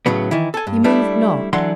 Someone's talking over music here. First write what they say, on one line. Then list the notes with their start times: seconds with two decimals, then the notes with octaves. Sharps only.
He moved not.
0.06 A2 C#3 F#3 B3
0.31 D#3 E3 E4
0.54 A4 G#5
0.67 G2
0.84 G3 A3 D4 E4
1.53 D3 E3 F#3 F#5 C6